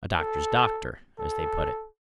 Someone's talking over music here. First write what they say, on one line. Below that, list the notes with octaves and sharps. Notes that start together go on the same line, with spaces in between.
A doctor's doctor, as they put it.
A4
A4